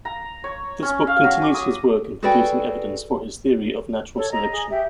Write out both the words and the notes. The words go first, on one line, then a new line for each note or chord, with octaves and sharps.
This book continues his work in producing evidence for his theory of natural selection.
A#5
C#5
C#4
F5
F#3
D6
D#6
F#4 G#4 A4 B4 D5 G5
A4 C#5
D#5 A#5
G#4
G4 E5